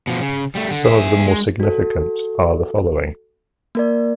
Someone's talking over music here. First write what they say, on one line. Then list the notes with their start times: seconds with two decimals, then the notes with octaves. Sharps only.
Some of the more significant are the following.
0.07 B2 F3
0.21 C#3
0.55 G3 A3
0.71 D3
0.85 G#4 E5
1.27 G#3
1.60 F#4 A4
3.75 A#3 A#4 D5